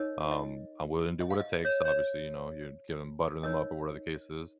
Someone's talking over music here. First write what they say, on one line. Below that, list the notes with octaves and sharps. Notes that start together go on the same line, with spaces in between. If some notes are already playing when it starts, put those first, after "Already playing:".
um, I'm willing to do what it takes." Obviously, you know, you'd give them butter them up or whatever the case is.
Already playing: D#4 A#4 C#5 D#5
D#5
D#5
F5
D#5
C#5
C#5
D#4 A#4 C#5 D#5